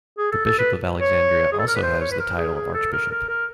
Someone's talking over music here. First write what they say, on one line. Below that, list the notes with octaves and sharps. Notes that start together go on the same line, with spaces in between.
The Bishop of Alexandria also has the title of archbishop.
G#4
A4
A4
B4
C#5
G#4
A4
A#4
B4
C5
C#5
B4
A#4
G#4
G#4
A4
A#4
A#4
A#4